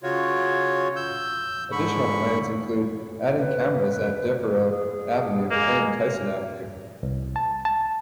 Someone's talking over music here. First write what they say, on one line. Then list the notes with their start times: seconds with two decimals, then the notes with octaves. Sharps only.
Additional plans include adding cameras at Devereaux Avenue and Tyson Avenue.
0.03 C#3 F4 F#4 C#5
0.96 E6 G6
1.72 G#2 D3 B5 C#6
3.38 B4
4.68 G#4
5.51 G#3 A#3
7.03 C2
7.36 A5
7.65 A5